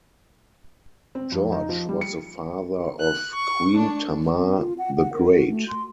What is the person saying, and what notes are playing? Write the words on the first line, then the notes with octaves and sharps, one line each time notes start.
George was the father of Queen Tamar the Great.
C4
F2
D#4
F3
G3
C#7
F#6
C#6
D4
C4
F4
F#5
F#5
A#4
F#4
A3
C6